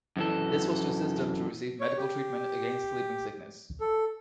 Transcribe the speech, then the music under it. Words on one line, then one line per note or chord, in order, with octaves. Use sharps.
This was to assist them to receive medical treatment against sleeping sickness.
F#2 E3 A4
C#5
G4
A4